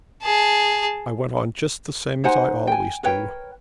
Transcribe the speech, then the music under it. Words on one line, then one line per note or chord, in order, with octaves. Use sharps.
I went on just the same as I always do.
G#4 A5
D#4 C5 F#5 G#5
G5 G#5
A#4 B4 C#5 G5